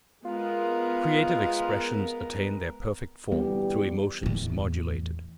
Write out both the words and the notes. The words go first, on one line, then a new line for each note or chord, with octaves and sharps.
Creative expressions attain their perfect form through emotions modulated.
G#3 B3 F4 A#4
D2 E3 G3 B3 G4
E2 A2